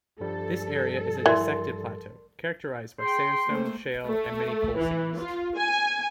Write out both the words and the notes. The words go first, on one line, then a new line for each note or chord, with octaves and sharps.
This area is a dissected plateau, characterized by sandstone, shale, and many coal seams.
G2 F3 G3 A4
E3 A#4 D5 C6
G#4 G5 C6
A3 A#3 C5
A3
E3
F4
G#5